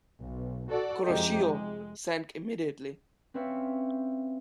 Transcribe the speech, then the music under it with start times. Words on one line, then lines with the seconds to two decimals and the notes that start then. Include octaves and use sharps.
"Kuroshio" sank immediately.
0.19 B1
0.70 F#4 A4 D5
1.04 F2 C3 G#3 D#4 G4
1.41 G#3
3.34 C4 C#4 B4 C#5 E5 F5